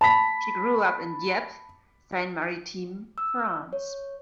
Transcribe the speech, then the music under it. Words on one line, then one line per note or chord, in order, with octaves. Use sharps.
She grew up in Dieppe, Seine-Maritime, France.
A5 B5 B6
E6
C#5